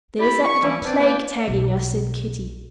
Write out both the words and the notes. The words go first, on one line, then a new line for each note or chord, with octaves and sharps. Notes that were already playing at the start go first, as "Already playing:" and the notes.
"There's that little plague tagging us," said Kitty.
E4 G4 D5 B5
C#6
E3 F3 G3 A#3 C#4 E4
C4 D4 B4 C5 D5
A#3 E4 B4 D5 G5
B1